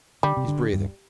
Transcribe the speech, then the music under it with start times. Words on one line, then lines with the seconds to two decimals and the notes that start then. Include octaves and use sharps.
He's breathing.
0.23 D3 G3
0.37 C3
0.48 D3
0.73 G2